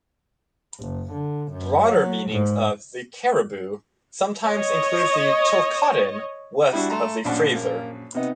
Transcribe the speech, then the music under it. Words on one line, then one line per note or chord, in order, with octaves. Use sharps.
Broader meanings of "the Cariboo" sometimes include the Chilcotin, west of the Fraser.
F#1
D3
F#2
F#3
G#2
C#5 D#5
G3 D4 E4 F#4
A3 A#5 C6
A#1 F#2 D4 F#5
A#3
C3 B3 D#4